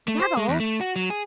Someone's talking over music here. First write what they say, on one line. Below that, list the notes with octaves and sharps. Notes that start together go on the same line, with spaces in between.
"Is that all?"
A3
C5
G#3
E2
A3
F#4
F#3
G#4